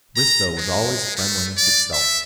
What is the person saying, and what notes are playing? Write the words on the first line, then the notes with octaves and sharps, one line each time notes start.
Bristow was always friendliness itself.
A#5
G#3
A3
D5
E5